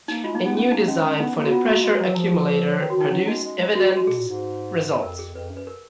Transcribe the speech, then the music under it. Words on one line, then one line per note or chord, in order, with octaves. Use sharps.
A new design for the pressure accumulator produced evident results.
A#3 D#4
G#3 F4
A#3 D#4
B3 D#4
B3 C#4
A#3 D#4
G#3 C#4
C#4
B3 D#4
A#3
F#4
B3 F4
A#3 F#4
G#3 F#4
G#4
F#3
A#4
F3
G#4
A#4
B4
A#4
C#5
D#3 B4
F#4
D#3 D#4
F#3 C#4
G#3 D#4
G#3
G#3
F#4
F#4
B2 G#4
A#2
G#2
F2 A#4
G#4
F2 B4
F#2
B4
A#4